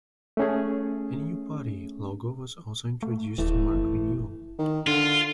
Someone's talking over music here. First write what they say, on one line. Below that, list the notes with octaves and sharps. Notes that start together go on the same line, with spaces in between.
A new party logo was also introduced to mark renewal.
A3 C#4 G#4
A3
D#1 E3 A3
F#1
D#3
D3 F4